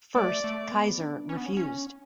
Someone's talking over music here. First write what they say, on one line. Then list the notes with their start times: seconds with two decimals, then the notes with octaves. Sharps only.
First Kayser refused.
0.15 A3 D5
0.44 A3
0.72 B3
1.00 D4
1.29 C#4
1.37 B3
1.46 C#4
1.57 C#4